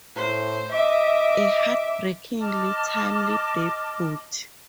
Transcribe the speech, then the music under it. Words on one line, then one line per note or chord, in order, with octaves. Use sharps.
A heartbreakingly timely debut.
A2 C5
D#5 E5 D6
D#5 A5 D6 F6